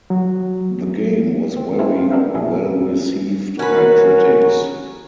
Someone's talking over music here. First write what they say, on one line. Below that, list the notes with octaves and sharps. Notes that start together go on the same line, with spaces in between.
The game was very well received by critics.
F#3
C4
G#3 A3 B3 C4 E4 F4
F4
B3 D4 A#4 E5 F5 G5
A#1 F#3 E4 G#4 E5
C#4 F#4 A#4 B4